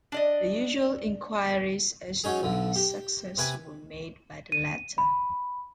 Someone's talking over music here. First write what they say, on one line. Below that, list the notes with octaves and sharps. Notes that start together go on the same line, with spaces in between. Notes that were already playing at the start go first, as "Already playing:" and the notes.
The usual inquiries as to his success were made by the latter.
D4 D5 D#5
F#3 C#4 D#4 G#4
B1 D3
G4
C3 B4 G#5 D6
D#7
B5